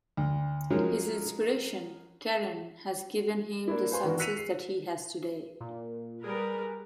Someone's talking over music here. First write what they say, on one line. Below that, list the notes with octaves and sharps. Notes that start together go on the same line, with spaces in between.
His inspiration, Karen, has given him the success that he has today.
D2
F3 F#3 G#3 C#4 A#4
A#3 D4 E4
B4 C5 F5 G#5 C6
D#3 E3 B3 D4 F#4 A#4
E6 F#6 B6 C#7 D#7 F7
C7
A#2
G3 G#4 A#4 B4